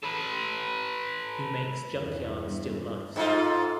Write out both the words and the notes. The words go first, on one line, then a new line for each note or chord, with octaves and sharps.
He makes junkyard still lifes.
A4 B4
E2 G2
G#2 D#4 F4 A4